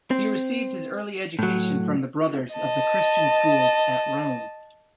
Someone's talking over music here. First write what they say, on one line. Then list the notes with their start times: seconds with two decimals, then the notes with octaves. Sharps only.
He received his early education from the Brothers of the Christian Schools at Rome.
0.11 C4
1.39 A2 F#3
2.55 D#5 A5